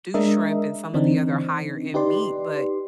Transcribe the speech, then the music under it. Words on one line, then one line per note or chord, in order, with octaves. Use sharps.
do shrimp, and some of the other higher end meat, but
G#3 D4 A#4 D#5 E5
D3 E3 C4 D4 D#4
D#4 G4 B4 D5 C6